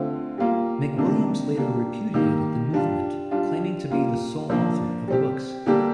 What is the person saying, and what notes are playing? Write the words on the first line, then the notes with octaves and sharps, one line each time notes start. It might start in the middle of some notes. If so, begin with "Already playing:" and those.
McWilliams later repudiated the movement, claiming to be the sole author of the books.
Already playing: D3 A3 C4 F4
G3 A#3 F4
C3 D#3 A#3 D4
G3 A#3 D4
D#3 G3 A#3
G3 D4 F4
G3 D4 F4
G3 A#3 F4
F3 A#3 D4
G3 C4 G4
D3 G3 A#3 D4 G4